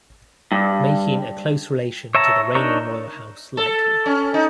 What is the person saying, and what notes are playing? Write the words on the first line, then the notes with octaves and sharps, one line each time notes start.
Making a close relation to the reigning royal house likely.
G2
C#5 E5 A5 A#5
D4 D#4 A#4 C#5
A4
C#4
D#4